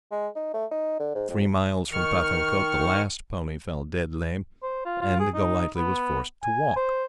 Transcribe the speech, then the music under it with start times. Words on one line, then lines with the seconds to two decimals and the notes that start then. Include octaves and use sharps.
Three miles from Pathankote the last pony fell dead lame, and Golightly was forced to walk.
0.12 G#3
0.35 D#4
0.54 A3
0.71 D#4
1.00 D3
1.15 G#2
1.29 F2
1.91 D#3 C#6 F6
4.63 C5
4.85 F4
5.01 F4
5.19 G#4
5.34 D#4
5.77 B3
6.43 G#5
6.76 C5